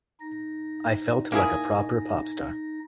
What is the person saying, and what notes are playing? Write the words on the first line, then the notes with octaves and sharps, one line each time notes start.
I felt like a proper pop star.
D#4 A#6
A#3 E4 G#4